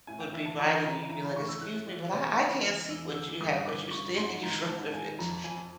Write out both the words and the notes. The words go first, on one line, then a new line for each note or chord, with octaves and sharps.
would be writing and you'd be like, "Excuse me, but I I can't see what you have, 'cause you're standing in front of it."
A2 G#5
G5
E3 E5
A5
E3 A#5
E3 A#5
E3 A#5
B5
A2 C#6
E6
A2 F#6
E3
C#3
E3
E3 F6
E2 E6
D3 E6
G2 D#6
D3 D6
G2 C#6
G#2 C6
D#3 A#5
G#2 A5
D#3 G#5
F2 A#5
A5
F2 G#5
A5